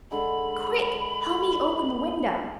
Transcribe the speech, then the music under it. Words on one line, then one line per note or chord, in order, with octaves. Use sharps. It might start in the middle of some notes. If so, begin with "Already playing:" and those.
"Quick, help me open the window."
D3 G#3 B5